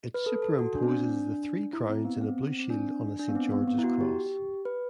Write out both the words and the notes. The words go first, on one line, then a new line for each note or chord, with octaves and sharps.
It superimposes the three crowns in a blue shield on a Saint George's cross.
B4
A4
A4
F#4
D4
C4
D4
E4
C4
B3
C4
C4
D4
D4
B3
C4
B3
B3
E4
F#4
G4
B4